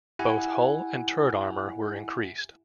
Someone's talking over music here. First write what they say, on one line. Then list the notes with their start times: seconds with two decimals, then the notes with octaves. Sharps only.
Both hull and turret armor were increased.
0.19 E4 G4 E5 F#5 G#5